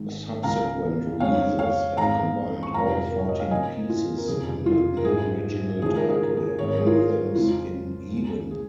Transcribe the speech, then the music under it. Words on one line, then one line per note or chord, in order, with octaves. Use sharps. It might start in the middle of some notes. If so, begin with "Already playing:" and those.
Subsequent releases have combined all fourteen pieces under the original title, "Anthems in Eden".
Already playing: G#1 G#2 D#3 G#3
C#2 C#3 F3 A#3 F5 A#5
F2 C#3 G#3 C#5 F5
C#5 F5
G#1 G#2 G#3 F5 A#5
C#6
F1 F2 F3 G#3 F5 A#5
A#4
C#5
D#5
F5
F2 C#3 A#3 D#5 G#5
F4
A#4
F1 D#2 C#3 F3 G#4
F4
A#4
A#1 G#2 F3 G#3 G#4
D#2 C#3 F3 G#3 G#4
A#4
G#4
A#4
G#4
G#1 G#2 D#3 C#5
A#4
G#4
F4 A#4
G#4
F2 C#3 G#3 F4
C#2 C#3 G#3
G#4